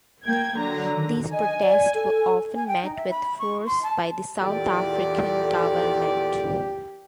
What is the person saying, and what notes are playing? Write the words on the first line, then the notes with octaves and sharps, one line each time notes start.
These protests were often met with force by the South African Government.
A#3 G5 G#6
D3 F#3 A#5
D#3
D#5 G#5
D5
A4
G#5
G5
D#4
E5
B5
C#6
C6
A5
E2 A#2 G4 A4 D5